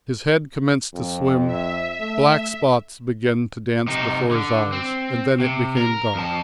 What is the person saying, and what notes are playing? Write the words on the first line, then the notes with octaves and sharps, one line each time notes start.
His head commenced to swim, black spots began to dance before his eyes, and then it became dark.
F2
E5
A3
C3 D#4
D3
C4
C3
A#4
F2 A5